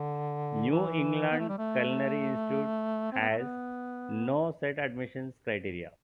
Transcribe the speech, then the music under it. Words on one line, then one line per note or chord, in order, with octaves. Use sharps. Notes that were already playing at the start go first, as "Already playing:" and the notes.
New England Culinary Institute has no set admissions criteria.
Already playing: D3
E3
B3
A3
G3
A3
C4
B3
A3
B3